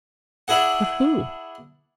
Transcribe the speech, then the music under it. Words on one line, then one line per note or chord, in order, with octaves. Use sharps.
"But who?"
D4 E4 G#4 F#5